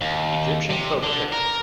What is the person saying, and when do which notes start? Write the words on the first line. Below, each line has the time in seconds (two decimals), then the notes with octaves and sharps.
Egyptian folk tale.
0.01 D#2
0.70 C3
1.03 D3
1.32 A#4